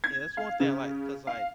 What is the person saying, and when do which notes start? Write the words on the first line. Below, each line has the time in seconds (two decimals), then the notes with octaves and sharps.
Yeah, that's one thing I like 'cause, like,
0.04 G#6
0.37 F5
0.60 C#3
1.27 F5